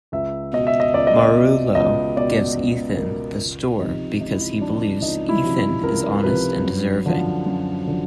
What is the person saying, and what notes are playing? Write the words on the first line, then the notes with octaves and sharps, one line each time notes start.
Marullo gives Ethan the store because he believes Ethan is honest and deserving.
C#2 E5
B2 D#5
E5
D#5
C#2 D5
D#5
D5
B2
C#2 D#5
B2 D5
C#2
B2 A#4
C#2
C3 F3 D#4
C#2 D#4
E4
D#4
C3 F3 D4
C#2 D#4
E4
C3 F3
C#2 A#4
C3 F3 B4
F#2
D3 F3
F#2
D3 F3